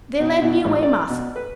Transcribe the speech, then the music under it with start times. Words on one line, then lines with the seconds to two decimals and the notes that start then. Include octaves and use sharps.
They led me away masked.
0.20 B2
0.42 B2
0.65 A1
0.83 D5
1.09 B2
1.36 B4